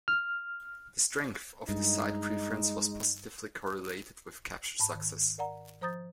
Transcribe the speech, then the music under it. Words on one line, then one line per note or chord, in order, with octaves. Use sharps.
The strength of this side preference was positively correlated with capture success.
F6
G2 G#3 D#4
G#2 A5 B5
D#3
A#4 D5 F#5 A#5
F3 C5 A#5 D#6 G6 A6